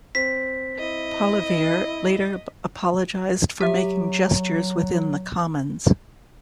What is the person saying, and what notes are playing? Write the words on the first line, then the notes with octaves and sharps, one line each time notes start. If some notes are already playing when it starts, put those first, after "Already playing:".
Poilievre later apologized for making gestures within the Commons.
C4 B6
E4 D#5
F#3 G4 E5